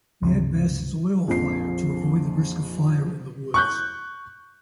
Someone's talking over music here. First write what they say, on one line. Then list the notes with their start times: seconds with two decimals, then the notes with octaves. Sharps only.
"Mad Bess" is oil-fired to avoid the risk of fire in the woods.
0.23 C#2 G2 C3
1.28 A#1 F2 C7
3.54 C#6 F#6 G6